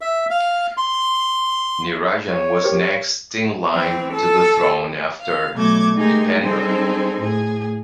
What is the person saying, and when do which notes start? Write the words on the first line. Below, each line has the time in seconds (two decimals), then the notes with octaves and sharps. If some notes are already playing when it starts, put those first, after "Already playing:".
Nirajan was next in line to the throne after Dipendra.
0.01 E5
0.31 F5
0.77 C6
2.29 C#5
2.63 G4 A#4 C5
3.73 E3 C4
4.13 A4
5.20 F5
5.55 B2 F#3 A3 D6 G#6
5.95 G#3 A3 D#4 G4 G#4 A#4
6.40 G3 C4 D#4 G#4 A4 C5
7.20 A2 G#4